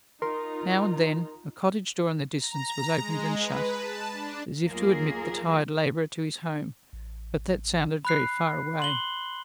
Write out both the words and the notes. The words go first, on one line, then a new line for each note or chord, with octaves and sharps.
Now and then, a cottage door in the distance was opened and shut, as if to admit the tired labourer to his home; but that sounded very far away.
D#4 F4 A#4 A#5 C6
A#5
G#3
B4
A5
D4
D#2 F#3 A#3 F4 G#4 A#4
A1
B5 F#6 C7
C6 F#7 G7